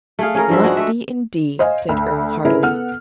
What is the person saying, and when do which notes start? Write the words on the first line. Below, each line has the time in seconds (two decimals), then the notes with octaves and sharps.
"It must be, indeed," said Earle, heartily.
0.19 A3 G#4 F5
0.35 C#4 G#4 A#4
0.49 G2 F3 E5
0.64 G#3 D4 F#4
0.77 A3 E5
1.59 C5 D#5 F5 G#5
1.89 D2
2.45 C#3 E4 G#4 A#4 B4
2.63 B3 A4 F#5 F6